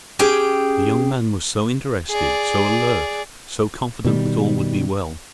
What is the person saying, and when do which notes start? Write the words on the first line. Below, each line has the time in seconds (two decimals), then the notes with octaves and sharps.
The young man was so interested, so alert, so confident that all would be well.
0.19 C#4 G4 G#4 G5
2.11 G#4 D5
4.05 B2 D#3 G3